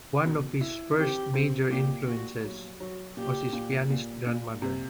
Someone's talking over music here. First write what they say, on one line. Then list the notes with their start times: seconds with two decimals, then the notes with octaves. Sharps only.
One of his first major influences was his pianist grandmother.
0.25 B2
0.61 E4
0.98 C4 G4
1.34 C4
1.71 A#2 G4
2.07 A#2 F#4
2.44 F#3
2.80 F#3 F#4
3.17 A#2 G4
3.53 A#2
3.90 A#2
4.26 A#2
4.62 C3